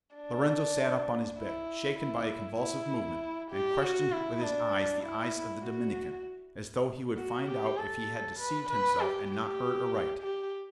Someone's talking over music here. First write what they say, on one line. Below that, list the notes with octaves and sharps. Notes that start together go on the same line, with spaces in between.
Lorenzo sat up on his bed, shaken by a convulsive movement, and questioned with his eyes the eyes of the Dominican, as though he would find out if he had deceived himself and not heard aright.
D4
E4
E4
E4
G4
F#4
E4
D4
E4
F#4
F#4
G4
A4
B4
B4
G4
G4
G4